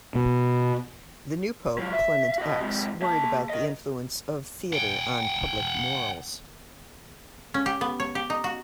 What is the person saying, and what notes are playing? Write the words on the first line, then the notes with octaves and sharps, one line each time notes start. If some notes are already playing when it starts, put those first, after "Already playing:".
The new pope Clement X worried about the influence of theatre on public morals.
B2
F#3 F4
E5
F#4 D#5
G#2 C3
A#3 A5
A#4 D#5
F#5 G5
C#4
G4
B3
C#5
G4
D#4
F#4